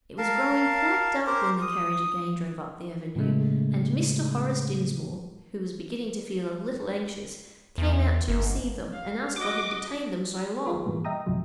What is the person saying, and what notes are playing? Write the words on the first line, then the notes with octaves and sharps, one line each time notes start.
It was growing quite dark when the carriage again drove up the avenue; and Mr. Horace Dinsmore, who was beginning to feel a little anxious, came out to receive them, and ask what had detained them so long.
A#4 F5 A5
G4 A#4 C5
D#6
A2 C#3 G#3 A3
E2
G1
F5
F#4 D#5 D6
F4 G#4 B4
G#2 B2 E3 G3 A#3
D#5 E5 G5 A#5 D#6
C#2 G#2 C3 F3 F#3